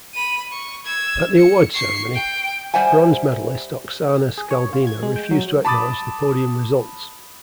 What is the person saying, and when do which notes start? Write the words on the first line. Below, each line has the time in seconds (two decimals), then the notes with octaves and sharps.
At the awards ceremony, bronze medalist Oksana Skaldina refused to acknowledge the podium results.
0.14 B5 D#7
0.52 C#6
0.85 E6 G#6
1.37 C#7
1.74 C#6 C7
2.14 G5
2.74 G3 C5 E5 F#5 G#5
4.38 G#4
4.51 C#5
4.73 F4
4.87 G#6
5.03 G#3
5.16 G5
5.31 F#3
5.65 A5 B5 D6 D#6 A6